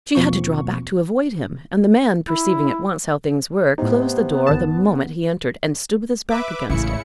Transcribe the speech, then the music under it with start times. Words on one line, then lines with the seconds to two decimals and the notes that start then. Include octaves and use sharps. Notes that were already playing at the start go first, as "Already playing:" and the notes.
She had to draw back to avoid him, and the man, perceiving at once how things were, closed the door the moment he entered, and stood with his back against it.
0.15 E2 B2 F3 A#3 C4 C#6
2.28 E4
3.78 A2 C3 B3 D#4
4.47 G1 D#3 A5
6.29 B4 E5 D6
6.69 A1 C#3 G#3 E4 C#7